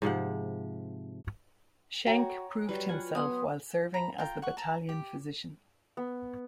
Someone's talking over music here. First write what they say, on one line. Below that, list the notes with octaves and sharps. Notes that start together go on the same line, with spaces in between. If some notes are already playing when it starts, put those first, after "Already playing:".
Schenck proved himself while serving as the battalion physician.
G#2 C3 F3 F#5
F#4 C#5 G5 A#5
F#3 G3 B4
F4 F#5 G#5
B3 C6 D#6
A#5 B5
F4 G5 A#5
F#5 C#6
A5 A#5
G4
B3